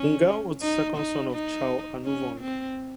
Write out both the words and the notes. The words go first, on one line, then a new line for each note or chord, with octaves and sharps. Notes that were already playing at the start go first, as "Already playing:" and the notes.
Ngao was the second son of Chao Anouvong.
Already playing: C#4
D#4
D#4
D#4
C#4
C4